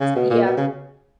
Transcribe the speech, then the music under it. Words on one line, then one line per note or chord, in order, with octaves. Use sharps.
S yeah,
C#3
B2
A#2
B2
C#3